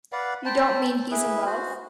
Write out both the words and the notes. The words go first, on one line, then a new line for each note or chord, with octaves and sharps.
You don't mean he's in love?
B4 D5 F5 F#5
C5 G5 A5 B5
E4 G#4 B4
F#4 C5